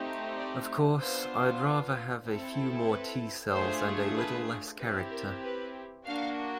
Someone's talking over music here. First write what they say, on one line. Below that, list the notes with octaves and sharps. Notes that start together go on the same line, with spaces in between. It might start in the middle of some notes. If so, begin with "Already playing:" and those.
Of course, I'd rather have a few more T-cells and a little less character.
Already playing: A3 C4 D#4 G4
D5
B3 D4 F4 C5
C4 E4 A4
B4
A3 D4 F4 G#4 C5
B4
C4 E4 G4 B4
A#4
B4
A#3 D4 F#4 F5